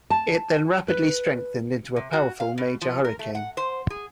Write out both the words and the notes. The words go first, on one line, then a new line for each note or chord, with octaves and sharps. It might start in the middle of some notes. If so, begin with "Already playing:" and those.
It then rapidly strengthened into a powerful major hurricane.
A5
B4
C3
F#4
F5
B2
F3
A#4
A3
F#5
C5
G#4